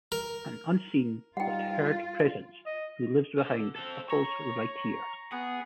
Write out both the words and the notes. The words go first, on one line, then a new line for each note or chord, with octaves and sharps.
An unseen but heard presence who lives behind Buckles' right ear.
A#4
G3 D#4 F4 F#5 G5
D#5
D3
C4 A4
C#5 A#5 C#6
B3 G#4 F#5